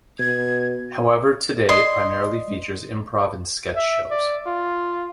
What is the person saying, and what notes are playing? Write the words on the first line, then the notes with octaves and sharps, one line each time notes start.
However, today it primarily features improv and sketch shows.
B2 G#6
D5 D#5 C6 D#6
E5
D5
F4